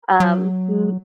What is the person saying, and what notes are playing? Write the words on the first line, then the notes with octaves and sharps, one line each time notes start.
um, m
F#3